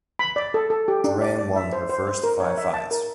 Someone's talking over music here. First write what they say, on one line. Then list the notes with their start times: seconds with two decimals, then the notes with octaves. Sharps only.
Draine won her first five fights.
0.19 B5
0.36 D5
0.54 A4
0.70 A4
0.88 G4
1.04 D4
1.21 D5
1.39 D5
1.56 E5
1.73 C5
1.89 C5
2.07 C5
2.24 A#4
2.40 C#5
2.58 E5
2.74 A5
2.91 A#4